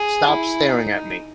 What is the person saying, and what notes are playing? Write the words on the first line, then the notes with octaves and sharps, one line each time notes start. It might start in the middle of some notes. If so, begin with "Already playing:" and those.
Stop Staring at Me!
Already playing: G#4
E4
D#4